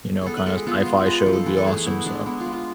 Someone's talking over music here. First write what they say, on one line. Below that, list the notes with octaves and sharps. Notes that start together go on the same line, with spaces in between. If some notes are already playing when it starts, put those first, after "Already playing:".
you know, kinda sci-fi show would be awesome, so.
B3 G#4 A4
B4
G#3 A4
G#4
B3 F4
F4
G#3
G#3 B4
A4
F3
A4
E3 B4
A4
A3 G#4
G#4
B3 E4
G#3 D4
B3 E4
F4
G#3
F4